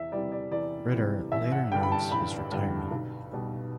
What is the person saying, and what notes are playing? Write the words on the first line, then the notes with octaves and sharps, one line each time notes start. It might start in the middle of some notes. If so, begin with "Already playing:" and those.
Ritter later announced his retirement.
Already playing: E2 E5
C3 E3 G3 D5
D5
E2 D5
C3 E3 G3
A1 E5
F#5
G2 D3 G3 G5
B5
A5
A1 B5
G2 D3 G3
B1
B2 G3